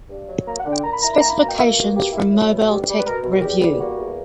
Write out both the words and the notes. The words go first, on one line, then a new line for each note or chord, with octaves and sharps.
Specifications from Mobile Tech Review.
G2
F#3
A#3 A#5
F#5
D3
G5
A#2 A#5
B5
E4 A#5
B5
A#3 A#5
B5
B2 A#5
G5
A#3 E5
B2
F#4
A#3 G4
E4
F#3
B2
F#4
D2 G4
G3
B4
B2 A#4
B2
A#4
E2 G4
G3
A#3 F#4
E2